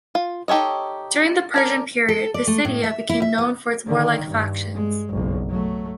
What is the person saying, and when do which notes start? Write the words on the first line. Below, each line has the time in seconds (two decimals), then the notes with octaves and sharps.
During the Persian period, Pisidia became known for its warlike factions.
0.15 F4
0.48 D#4 G4 A4 C#5 D#5
1.54 A#4 D5 A5
2.09 A4
2.34 D5
2.47 A3
2.65 A2
2.84 E5
3.09 E4
3.22 E5
3.38 B3
3.86 D3 D#3
4.25 G2
4.75 G#3
5.09 F#1 B1
5.49 F#3 A3